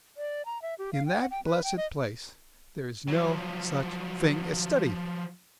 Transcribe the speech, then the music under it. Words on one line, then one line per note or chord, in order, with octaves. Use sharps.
In that blessed place there is no such thing as study.
D5
A#5
E5
G4
F5
G5
F#5
G5
B4
G5
D#5
F3 F#3